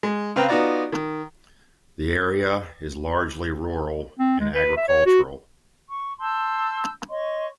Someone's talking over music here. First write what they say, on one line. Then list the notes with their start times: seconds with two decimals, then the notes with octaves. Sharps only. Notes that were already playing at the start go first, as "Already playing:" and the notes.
The area is largely rural and agricultural.
0.03 G#3
0.36 C#3 C4 B4 F5 G5 A#5
0.49 B3 D#4 F4 F#4 D5 A#5
0.92 D#3
4.19 C4
4.40 G#3
4.54 B4
4.77 E5
4.88 C#5
5.06 F#4
5.88 C#6
6.19 A5 C6 E6 G6
7.09 C#5 D#5 C6 C#6